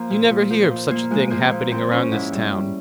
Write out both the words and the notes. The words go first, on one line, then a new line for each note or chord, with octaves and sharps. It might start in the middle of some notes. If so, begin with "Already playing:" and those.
You never hear of such a thing happening around this town.
Already playing: F3 A#3
A#2
A#2
F3
F3
A#2 A#3
F3 G#3
F3 A#3
A#2 A#3
A#2 C4
F3 C#4
G#2 E4
G3
G3